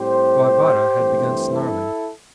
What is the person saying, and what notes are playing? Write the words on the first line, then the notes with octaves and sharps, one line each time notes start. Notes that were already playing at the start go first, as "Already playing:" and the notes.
Varvara had begun snarling.
Already playing: A2 G3 C4 G4 C5
G2 E3 A3 C4
E4 A4